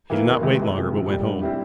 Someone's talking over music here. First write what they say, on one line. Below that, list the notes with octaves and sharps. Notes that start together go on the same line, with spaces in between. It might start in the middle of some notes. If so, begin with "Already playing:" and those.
He did not wait longer but went home.
E3 A#3
F1
E2 C3 E3 G#3
F2
C3 F3 G#3
A#1
A#2 G3
G2
G3 C4 E4 G4